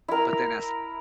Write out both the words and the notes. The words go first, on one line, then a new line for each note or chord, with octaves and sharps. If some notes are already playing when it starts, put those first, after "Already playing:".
But then as
E4 A#4